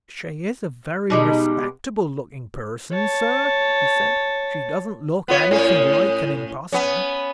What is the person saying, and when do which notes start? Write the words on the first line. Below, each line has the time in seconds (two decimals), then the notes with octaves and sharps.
"She is a very respectable-looking person, sir," he said; "she doesn't look anything like an impostor."
1.10 B2 G3 G#3 D#4
2.92 C#5 A5
5.28 B3 F4 C#5
5.51 A2 C#4
6.73 B3 C#4